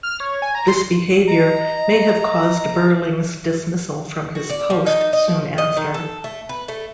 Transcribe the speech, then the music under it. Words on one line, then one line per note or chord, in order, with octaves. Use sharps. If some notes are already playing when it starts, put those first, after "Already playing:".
This behaviour may have caused Berlings' dismissal from his post soon after.
F6
C#5
G#5
A#5
C6
D#5 A#5
F#4
D5
F3
D#4
D#5
F3
D#5
D#3
A4
A3
B4
A3